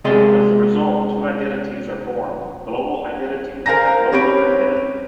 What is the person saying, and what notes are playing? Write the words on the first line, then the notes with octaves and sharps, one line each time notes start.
As a result, two identities are formed: global identity and local identity.
C3 G#3 G#4 D5 D#5 C6
A#4 C5 F5 G#5 A#5 A#6
C4 C#4 G4 B5 D7